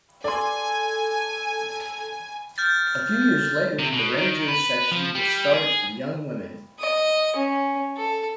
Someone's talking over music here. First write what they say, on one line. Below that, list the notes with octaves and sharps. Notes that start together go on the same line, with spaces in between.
A few years later the Ranger section was started for young women.
A4 D5 G#5 C6
F6 G6 A6
C3
B2
D#3
B4
F3
G3
G#4
D#5
C#4
A4